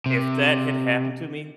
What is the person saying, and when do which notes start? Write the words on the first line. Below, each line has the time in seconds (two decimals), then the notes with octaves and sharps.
if that had happened to me
0.06 C3